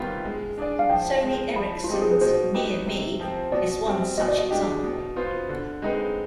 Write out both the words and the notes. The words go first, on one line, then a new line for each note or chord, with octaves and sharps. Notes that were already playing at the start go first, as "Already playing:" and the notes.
Sony Ericsson's "NearMe" is one such example.
Already playing: C3 D#3 G3 B3 F4
G#3
D4 G#4 D5
F5
F3 G5
G#3 C4
F3 B5
F4
G#3 C4 D#4 G4
G#4
B4
B2 C5
B3 D#4 G4
C3
F3 C4
B2 D5
G3 C4
B2 D#5
D5
D#5
G#3 D4 G4
B2
B3 F4 C5
D3
G#3 C4 D#4 B4